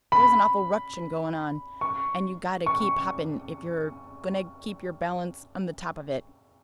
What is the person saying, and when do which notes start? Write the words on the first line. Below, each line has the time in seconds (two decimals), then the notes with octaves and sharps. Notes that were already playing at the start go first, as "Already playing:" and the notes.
There's an awful ruction goin' on, and you got to keep hoppin' if you're goin' to keep your balance on the top of it.
0.12 B5
1.81 C#6
2.66 C#6